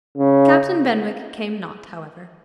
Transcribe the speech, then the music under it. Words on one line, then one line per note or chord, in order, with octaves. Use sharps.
Captain Benwick came not, however.
C#3